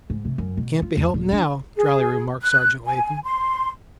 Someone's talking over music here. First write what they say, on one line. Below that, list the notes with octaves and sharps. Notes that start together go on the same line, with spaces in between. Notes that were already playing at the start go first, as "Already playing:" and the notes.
"Can't be helped now," dryly remarked Sergeant Latham.
G#2
C3
F#2
B2
F4
E2
D#1
D4
G#4
F#6
G#5
C6